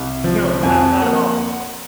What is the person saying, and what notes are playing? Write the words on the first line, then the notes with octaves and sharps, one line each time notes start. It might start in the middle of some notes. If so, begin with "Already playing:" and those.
No. Not not at all.
Already playing: C2
F3
F2 G#5
A#3 F#5